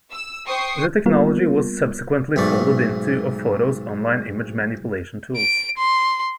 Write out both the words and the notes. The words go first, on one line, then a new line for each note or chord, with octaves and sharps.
The technology was subsequently folded into Ofoto's online image manipulation tools.
E6
C5 G5 C#6 D#6 C7
G3 A#3 B3 F4 A#4
B1 G#2 A3 D5
D7
C6